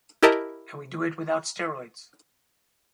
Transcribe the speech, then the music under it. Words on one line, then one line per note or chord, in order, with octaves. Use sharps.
And we do it without steroids!
E4 G4 A#4 D#5 A5 A#5